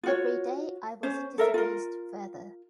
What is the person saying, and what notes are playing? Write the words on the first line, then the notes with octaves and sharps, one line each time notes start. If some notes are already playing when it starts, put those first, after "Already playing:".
Everyday I was disabused further.
F4 F#4 C#5
C#4 C5
A4 A#4 E5
F4 A#4